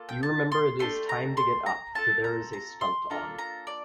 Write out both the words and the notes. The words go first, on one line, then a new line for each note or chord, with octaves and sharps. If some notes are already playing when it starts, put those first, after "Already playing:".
You remember it is time to get up, for there is a stunt on.
Already playing: A#3 F4 A4
G5
A5
C6
A3 D4 G4 C6
A#5
C6
A#5
C4 F4 A4 A5
A#5
A#5
C6
A#3 D4 F4 A4 A#5
A#5
D5